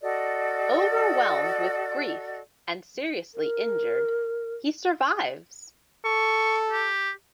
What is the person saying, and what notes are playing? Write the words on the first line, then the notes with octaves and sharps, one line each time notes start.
Overwhelmed with grief and seriously inured, he survives.
F#4 A4 D5 D#5
A#4
A4 C#6
G4